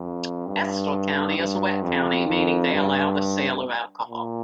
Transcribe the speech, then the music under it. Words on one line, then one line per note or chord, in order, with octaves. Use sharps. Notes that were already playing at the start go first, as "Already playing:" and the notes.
Estill County is a wet county meaning they allow the sale of alcohol.
Already playing: F2
G2
G2
F2
F2
G2
A#2